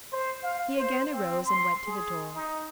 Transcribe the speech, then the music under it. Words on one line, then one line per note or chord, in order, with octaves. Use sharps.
He again arose and went to the door.
C5
F5
C5
C4
C6
G#4
D#4